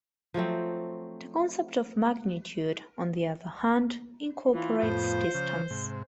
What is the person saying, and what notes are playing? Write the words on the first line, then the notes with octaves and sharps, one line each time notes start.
The concept of magnitude, on the other hand, incorporates distance.
F3 F#3 A3 C4
E3 F4
F2 A2 B3 C5
C#3 F3 G6
G#2 C3